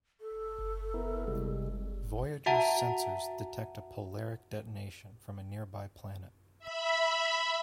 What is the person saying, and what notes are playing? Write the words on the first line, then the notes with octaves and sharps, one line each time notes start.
"Voyager"s sensors detect a "polaric" detonation from a nearby planet.
A4
B3 E4 A#4
C3 G3 G#3
F#4 E5 F#5 A5 A#5
E5 B5